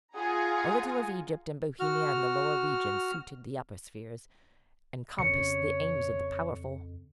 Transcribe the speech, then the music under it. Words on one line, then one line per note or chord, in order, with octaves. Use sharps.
A little of Egypt and Bohemia in the lower regions suited the upper spheres, and compassed the aims of the powerful.
F4 G#4 F#5 G#5 A#5
F#4 F6
F2 C#3 C#5 C#7